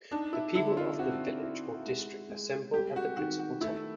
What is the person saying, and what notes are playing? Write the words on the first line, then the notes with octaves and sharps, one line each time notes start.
The people of the village or district assemble at the principal temple.
D4 D#4
E4
D3 E4
F4
C4 F#4
E4
G#3
G#3
G3 G4
F#4
D#3 F#4
F#4
A3 E4